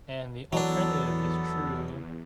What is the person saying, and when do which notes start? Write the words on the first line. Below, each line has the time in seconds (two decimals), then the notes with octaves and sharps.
And the alternative is true.
0.53 E2 E3 F#3 B3 D4 A4